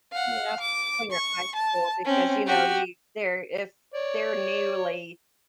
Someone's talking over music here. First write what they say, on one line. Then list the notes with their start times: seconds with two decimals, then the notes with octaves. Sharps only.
Yeah, s when you're in high school, because, you know, you they're if they're newly
0.13 F5 F#5
0.61 D6
1.12 C#6
1.56 A5
2.05 C4 C#4
2.47 F#4 G4
3.94 C#5 D5